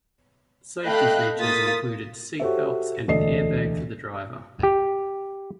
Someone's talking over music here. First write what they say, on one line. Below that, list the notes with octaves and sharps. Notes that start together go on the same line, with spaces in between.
Safety features included seat belts and an airbag for the driver.
A3 D#5 F5 G5 B5 F#6
A#3 F4 D#6 A6 B6
F#4 G4 A4 C5 C#5 E5
E1 D2 A4 D5 D#5 C7
G4